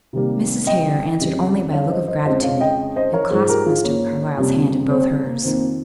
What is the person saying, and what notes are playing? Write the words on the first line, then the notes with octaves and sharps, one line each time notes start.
Mrs. Hare answered only by a look of gratitude, and clasped Mr. Carlyle's hand in both hers.
C3 D#3 G3 A#3
D#5 G5
F2 C#3 G3
C#5 F5
C5 D#5
C5 D#5
F2 C#3 G#3 C5 D#5
C#5 F5
D#5 G5
C5 D#5
A#4 C#5
G#2 F3 G#3 G#4 C5
G4 A#4
F4 G#4
A#3 C#4
F2 C3 G3 A#3
C4
A#3
F2 D#3 A#3 C4